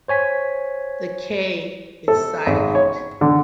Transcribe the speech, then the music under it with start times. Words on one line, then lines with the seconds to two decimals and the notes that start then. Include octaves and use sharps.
The 'K' is silent.
0.08 C5 C#5 G#5 B6
2.08 A4
2.46 G#1
2.75 C#5
3.21 D3